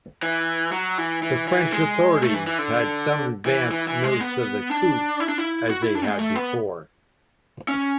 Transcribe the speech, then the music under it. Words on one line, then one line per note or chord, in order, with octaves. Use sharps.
The French authorities had some advance notice of the coup, as they had before.
E3
F#3
E3
E3
E3
G#3
A3
E3
E3
D3
E3
E3
E3
G#3
B3
D4
E4
D4
E4
F#4
E4
D4
G#3
A3
B3
C#4